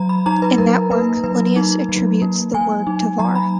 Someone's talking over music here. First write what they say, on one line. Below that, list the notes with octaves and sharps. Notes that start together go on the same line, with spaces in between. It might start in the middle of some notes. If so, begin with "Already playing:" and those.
In that work, Linnaeus attributes the word to Varr.
Already playing: F#3 A#5
B5
D#4 A#5
B4
F#3 A#4
A#3 B4
F#3 B4
D#4
F#3
A#3
F#3 G#5
D#4
F#3 A#5
B5